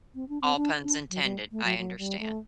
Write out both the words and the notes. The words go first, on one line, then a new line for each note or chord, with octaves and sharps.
All puns intended, I understand.
C4
D4
C4
D4
D4
F#3
G3
A3
F#3
F#3
G3
A3